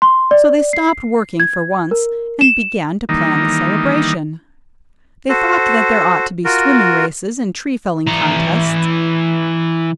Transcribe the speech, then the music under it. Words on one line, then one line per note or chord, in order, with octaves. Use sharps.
So they stopped working, for once, and began to plan the celebration. They thought that there ought to be swimming races and tree-felling contests.
C6
D5
C7
G#6
A#4
E7
D#3 E3 G3 A#3 D#4
F#4 A4 C5
F4 F#4 A#4
E3 A#5